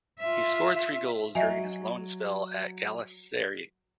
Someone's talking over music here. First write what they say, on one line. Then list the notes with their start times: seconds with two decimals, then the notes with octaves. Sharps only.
He scored three goals during his loan spell at Galatasaray.
0.20 F4 E5
1.35 F#3 D#5 E5 G#5